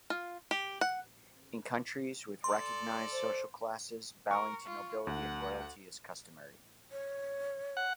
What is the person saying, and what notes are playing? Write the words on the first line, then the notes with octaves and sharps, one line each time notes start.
In countries with recognized social classes, bowing to nobility and royalty is customary.
F4
G4
F#5
A4 D5 C6
C5
A#4 C#6
F4
D2 F#5
C#5
F#5